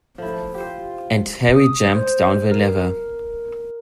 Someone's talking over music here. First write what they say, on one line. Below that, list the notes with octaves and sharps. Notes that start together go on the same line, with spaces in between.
And Harry jammed down the lever.
F3 A3 E4
F4 G4 C5
D#6
C5
A#4